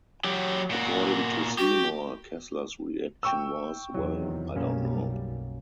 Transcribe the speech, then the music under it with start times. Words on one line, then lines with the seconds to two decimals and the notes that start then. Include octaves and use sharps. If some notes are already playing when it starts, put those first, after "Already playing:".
According to Seymour, Kessler's reaction was, Well, I don't know.
0.24 F#3 G4
0.71 A#2 F#4
1.58 F#4 G4
3.23 G5 C#6 E6
3.94 E2 C3 D#3 F#3
4.55 B1 F#2 G3 A#3 C#4